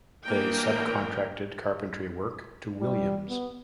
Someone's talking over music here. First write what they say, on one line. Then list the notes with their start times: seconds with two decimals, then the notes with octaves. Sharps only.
They sub-contracted carpentry work to Williams.
0.24 E3 A#3 B3 D4 A#4 G5
2.80 G3
3.29 B3